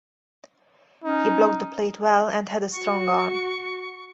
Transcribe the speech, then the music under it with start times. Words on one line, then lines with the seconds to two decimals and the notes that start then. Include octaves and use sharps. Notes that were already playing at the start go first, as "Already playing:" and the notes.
He blocked the plate well and had a strong arm.
1.04 C#4 D#4
2.73 F#4 C#6